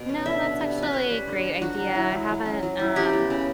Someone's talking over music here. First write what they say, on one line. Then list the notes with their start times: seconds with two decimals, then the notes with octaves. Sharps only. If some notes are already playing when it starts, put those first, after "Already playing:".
No, that's actually a great idea, I haven't, um,
Already playing: B2
0.09 C#4
0.26 D3 E5
0.43 D3
0.59 G3
0.77 C#4
0.82 B4
0.93 C#4 C#5
1.10 G3
1.27 D3
1.44 D3
1.61 F#3 F#4
1.78 F#3
1.95 E4
2.12 F#3
2.29 F#3
2.45 C#4
2.63 F#3
2.79 E4
2.96 C#3 G4
3.13 B3
3.30 C#3